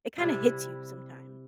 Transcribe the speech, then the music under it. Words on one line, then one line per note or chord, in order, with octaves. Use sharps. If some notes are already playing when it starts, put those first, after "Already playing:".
it kinda hits you sometimes.
C3 G3 E4